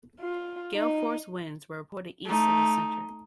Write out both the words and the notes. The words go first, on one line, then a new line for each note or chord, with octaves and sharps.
Gale-force winds were reported east of the center.
F4
D#4
A3 D#4